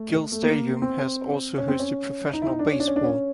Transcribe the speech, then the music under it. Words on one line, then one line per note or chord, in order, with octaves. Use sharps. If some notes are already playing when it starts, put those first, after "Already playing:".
Gill Stadium has also hosted professional baseball.
Already playing: A3
A3
A#3
C4
C#4
C4
C#4
D#4
E4
D#4
D4
C#4
D4
C#4
D4
C#4